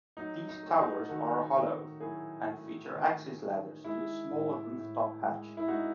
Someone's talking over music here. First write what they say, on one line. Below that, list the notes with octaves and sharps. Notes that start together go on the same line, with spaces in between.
These towers are hollow, and feature access ladders to a small roof top hatch.
F#3 D#4
D#4
A3
D#4 F#4
D#3 F#4 A4
D#3
F#3 E4 G#4
A3
D#3
D#3
G#3 E4
A2
A2
G#3
E4
G#3 D#4 F#4